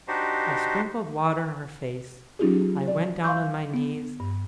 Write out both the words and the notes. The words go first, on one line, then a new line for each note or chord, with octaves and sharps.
I sprinkled water on her face. I went down on my knees.
D4 D#4 F#4 G4 C5
F#3 C#4 D#4 F4 G4 G#4
D5
F5 C6 C#6 G6
B3
G2